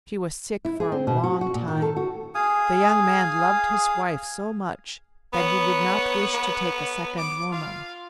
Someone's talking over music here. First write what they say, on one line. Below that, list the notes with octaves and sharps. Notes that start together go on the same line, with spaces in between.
She was sick for a long time. The young man loved his wife so much that he did not wish to take a second woman.
E4
G#4
C4
B2
F#4
F#4
A#2
D#3
A4
F#4
G#4 F5 G#5 D#6
B3 C#5 F#5
B3
D6
F4 F5